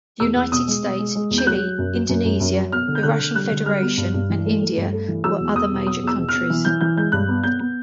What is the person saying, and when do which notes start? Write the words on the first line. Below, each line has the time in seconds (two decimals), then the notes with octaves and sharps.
The United States, Chile, Indonesia, the Russian Federation and India were other major countries.
0.20 E2 E6
0.36 E2
0.52 B2 D#6
0.68 G#3
0.84 B2
0.99 G#3
1.15 G#3
1.31 E2
1.38 G6
1.46 F#3 F#6
1.62 F#3
1.78 F#2
1.93 F#3
2.09 F#2
2.24 F#2
2.40 F#2
2.57 F#3
2.72 B3 F6
2.88 D3
2.95 G6
3.03 D3 F#6
3.20 D3
3.34 G3 F#6
3.51 D3
3.66 G3 F6
3.82 B3
3.97 G2
4.14 G2
4.30 E3
4.46 A3
4.62 A3
4.77 G2
4.93 A3
5.08 E3
5.24 F#3 E6
5.40 E2
5.55 E2 D#6
5.72 B2
5.87 F#3 D#6
6.03 E2 E6
6.18 B2
6.29 F6
6.34 B2
6.50 E3
6.65 E3 G6
6.81 E3 G6
6.97 G#3 G6
7.12 G2 F#6
7.29 B3
7.43 B3 G6
7.60 B3